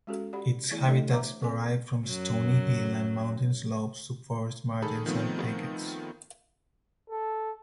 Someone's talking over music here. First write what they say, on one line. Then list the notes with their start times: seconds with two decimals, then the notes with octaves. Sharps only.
Its habitats vary from stony hill and mountain slopes to forest margins and thickets.
0.07 G#3 C#4 F#4 G#4 A4
0.33 G4 D5 F#5 B5
0.70 E3 A3 B3 E4 G#4 D5
0.87 A3 D4 G4 A4 C#5 D#5
1.09 C5 C#5 E5 F#5 A#5 D6
1.40 C4 A4 B4 G#5
2.07 F#2 F#3
4.82 D#3 G#4 A4 B5
5.06 D#3 F3 A3 B3 C4
7.10 A4